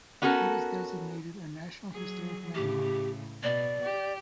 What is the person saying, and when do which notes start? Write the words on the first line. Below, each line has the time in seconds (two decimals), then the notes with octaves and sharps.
It is designated a National Historic Landmark.
0.22 B3 C#4 F#4 A4 A#4
1.93 F#3 G#4
2.55 A2 C#3 G4
3.43 B2 D5
3.82 G4